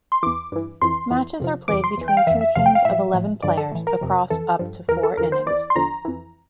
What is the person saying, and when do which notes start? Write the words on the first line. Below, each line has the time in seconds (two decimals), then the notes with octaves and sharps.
Matches are played between two teams of eleven players, across up to four innings.
0.12 C6
0.23 E2 E3 D6
0.52 G2 E3
0.82 F2 E3 C6
1.10 F2 E3
1.40 F2 C3 F3
1.68 E2 C3 E3 D6
1.84 C6
1.97 E2 E3
2.08 G5
2.17 F5
2.27 F2 E3 E5
2.41 E5
2.55 E2 C3 F3 F5
2.66 G5
2.75 F5
2.85 A2 F3 E5
3.14 A2 F3
3.42 G2 D3 F3 D5
3.57 A4
3.72 A2 E3
3.87 A#4
4.01 F2 C3 F3
4.30 F2 E3 A4
4.59 G2 F3
4.88 E2 E3 A#4
5.03 A4
5.17 E2 D3 F3 A#4
5.32 C5
5.46 E2 E3 D5
5.70 C6
5.75 E2 D3 F3 A#5
6.05 F2 E3